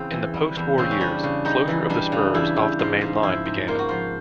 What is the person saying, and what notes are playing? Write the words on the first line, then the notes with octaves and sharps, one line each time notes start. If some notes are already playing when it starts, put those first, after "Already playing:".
In the post-war years, closure of the spurs off the main line began.
Already playing: E2 C#3 C4
E3
G3
E2
C#3 C4
C#4
G3 D4
C#3
G3 D#4
E3
G3 D4
C#3
E2 E4
E2
G#2 F4
G#2
F3 E4
G#2
A#3 F4
F#4
F3 F4